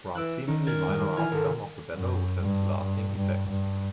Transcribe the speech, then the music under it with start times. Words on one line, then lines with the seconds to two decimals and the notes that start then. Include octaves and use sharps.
One seemingly minor outcome of the battle would have lasting effects.
0.15 E3 D6 E6 F#6
0.48 D#3 C#4 D#4
0.67 A#4 G#5 G#6 A6
0.88 F#2 G3
1.16 E3 E4 G#5 F6 G#6
1.32 G#1 A4 A#4
1.94 F#2
2.41 G2
2.82 G2
3.17 G2
3.48 G2